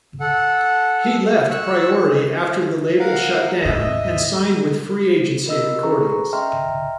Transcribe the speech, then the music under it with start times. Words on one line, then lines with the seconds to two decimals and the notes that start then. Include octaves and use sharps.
He left Priority after the label shut down and signed with Free Agency Recordings.
0.20 A4 F#5
1.51 C#6 E6 F#6
2.99 A#4 F5 F#5
3.64 D#2 G#2 D#5 E5
5.46 F4 A#4 D#5 E6
5.83 C#4 G#4 A4 B4 A#5 C#6
6.33 D#5 E5 G5 A#5 C6 F6